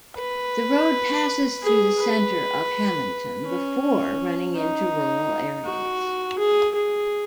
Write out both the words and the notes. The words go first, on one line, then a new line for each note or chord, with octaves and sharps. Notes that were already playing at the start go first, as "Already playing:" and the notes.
The road passes through the center of Hammonton before running into rural areas.
B4
G#4
B4
C#4
D#4
F#4
G#4
G#4